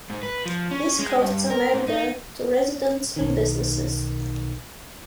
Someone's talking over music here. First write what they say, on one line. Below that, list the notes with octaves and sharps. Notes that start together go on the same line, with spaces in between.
This caused some anger to residents and businesses.
G#2
B4
F3
C#4
G#3
G2
A#4
G#2
D#4
B1 D#3